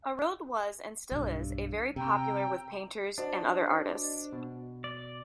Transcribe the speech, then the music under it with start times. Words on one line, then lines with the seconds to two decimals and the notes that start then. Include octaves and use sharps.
Arild was and still is a very popular with painters and other artists.
1.12 B1 G2
1.96 C3 G5 A#5 E6
3.18 D4 F#4 C5 D#5
4.32 B2
4.84 D5